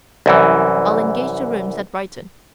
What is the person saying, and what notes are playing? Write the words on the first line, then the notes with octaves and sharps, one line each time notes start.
I'll engage the rooms at Brighton.
C2 F#2 E3